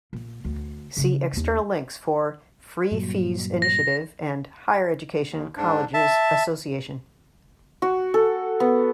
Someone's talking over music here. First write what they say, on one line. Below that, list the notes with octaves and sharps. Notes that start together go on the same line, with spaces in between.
See external links for: "free-fees initiative" and "Higher Education Colleges Association".
A#2
D2
C#3 C#4
D#2 D4
G2 A#2 F#3
A#6
D#2
G#2 D4
E5 A5
F#4
A4
B3